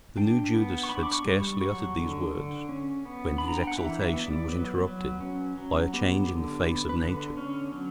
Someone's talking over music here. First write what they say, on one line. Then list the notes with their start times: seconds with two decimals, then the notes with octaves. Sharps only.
The new Judas had scarcely uttered these words when his exultation was interrupted by a change in the face of nature.
0.17 D4 G5
0.53 B3
0.83 C#6
0.89 D4 B5
1.03 D6
1.12 C#6
1.25 G3
1.37 C#6
1.61 F#3 C#6
1.97 D3
2.33 D3
2.69 C#4
3.05 B3
3.38 D4 B5
3.48 A#5
3.57 G5
3.67 F#5
3.77 E3 E5
4.01 E5
4.13 B3
4.25 D5
4.49 F#3 B4
4.85 F#3
5.20 C#4
5.58 F#3
5.93 B3 G4
6.29 D3
6.66 B3
6.89 B4
7.01 D3
7.37 C#4
7.73 F#3